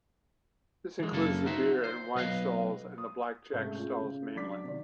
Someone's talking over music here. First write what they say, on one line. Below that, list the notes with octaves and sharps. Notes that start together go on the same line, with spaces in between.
This includes the beer and wine stalls and the blackjack stalls mainly.
E3 G#3
F#2 C#3 A#3 A4
D#4 F#4 C5 E5
C5
B1 B4 D#5 F5
D#6
G#2 C3 A3 C#4 G6
C#4 F4 G#4
C#3
F#3 D4 D5 D6 B6
C3 D#3 D5